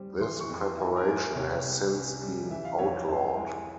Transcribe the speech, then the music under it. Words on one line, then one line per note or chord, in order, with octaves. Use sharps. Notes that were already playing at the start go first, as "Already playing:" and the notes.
This preparation has since been outlawed.
Already playing: G3 C4
E3 C6
C#6
F2
C6
E4 G#5
A#4
G#3
C5
C3 C#5
C2
C#4
G3
E3 E5
F5
F2 C#5
C5
E4 C5
G#3